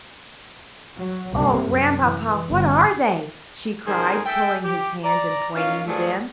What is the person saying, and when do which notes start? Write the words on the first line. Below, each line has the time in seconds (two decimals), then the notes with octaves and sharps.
"Oh, Grandpapa, what are they?" she cried, pulling his hand and pointing to them.
0.99 F#3
1.34 C2 G2 C3 A#3
1.66 F#2
2.01 E3
2.49 G1
3.86 F#2 B2 D#3 G#4 A#4 C5
4.25 G#4 A4 E5 G5
4.63 G4
5.04 D5 A#5
5.55 A#3 C#4 D#4 F4 F5
5.87 G2 F3 F#3 A3 G#4 A5